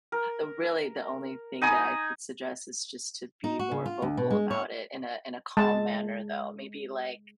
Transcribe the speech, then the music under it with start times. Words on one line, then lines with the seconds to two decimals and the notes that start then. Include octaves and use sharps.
The, really, the only thing that I would suggest is just to be more vocal about it in a in a calm manner, though. Maybe, like,
0.12 A#4
1.62 D#4 G#5 B5 D#6
3.44 D#4
3.59 F#4
3.71 C#3
3.86 F4
4.02 D2
4.17 B2
4.31 G#3
4.51 C#5
5.57 G#3 A5